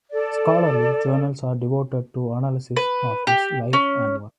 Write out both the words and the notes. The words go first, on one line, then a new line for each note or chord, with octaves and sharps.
Scholarly journals are devoted to analysis of his life and work.
A4 D5
B4
G4
C#4